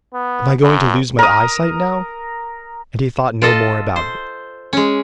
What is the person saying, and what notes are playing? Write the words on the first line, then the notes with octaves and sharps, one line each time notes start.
"Am I going to lose my eyesight now?" And he thought no more about it.
B3
F#2
A#4 D#6
F4 A4 D#5
C5
G#3 C#4